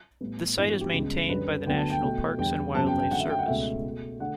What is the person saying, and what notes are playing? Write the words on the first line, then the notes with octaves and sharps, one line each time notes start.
The site is maintained by the National Parks and Wildlife Service.
A2 G3 B3
G2 E3 B3 E4
F#4
G4
C#2 C#3 G3 B3
F#2 D3 G3 B4
D2 D3 F#3 B3 G5
A5
G5
B2 A3 G5
E2 D3 G3 B3 G5
F#2 C#3 F#3 B3 A5
G5
G5
F#2 D3 F#3 A3 F#5
E5
G5
F#5
C#2 B2 A3 E5
B2 A3
D3 A3 F#5